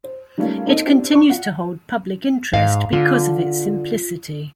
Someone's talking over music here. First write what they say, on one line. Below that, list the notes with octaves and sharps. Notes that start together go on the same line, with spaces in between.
It continues to hold public interest because of its simplicity.
C5
D#3 G3 A3 A#3 C#4 F4
A#3 C4 D#4 A4 D5 D#5
C4 D4 E4 G4
D5 C#6
F4 F#5
G#2 F5
D3 F4